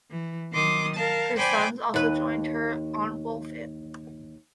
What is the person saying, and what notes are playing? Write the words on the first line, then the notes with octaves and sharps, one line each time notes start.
Her sons also joined her on Wolf It.
E3
D#3 F#3 C6 D6 D#6
A#4 F5 A5
C5 D5 G5 G#5 B5 D6
D#2 B4